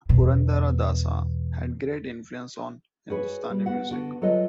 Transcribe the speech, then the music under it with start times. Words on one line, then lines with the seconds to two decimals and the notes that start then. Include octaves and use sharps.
Purandara Dasa had great influence on Hindustani music.
0.09 E2 B2
3.10 F#4 G#4 B4 C#5
3.50 G3
3.66 B3 F#4 F#5
3.91 D3 B3 F#4
4.22 F#3 F4 A4 B4 D#5